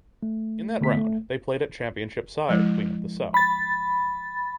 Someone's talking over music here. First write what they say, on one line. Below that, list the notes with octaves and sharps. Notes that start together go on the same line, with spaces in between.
In that round they played at Championship side Queen of the South.
A3
D3 A3 B3 B6
A3
F3 G#3 E4
B5 A6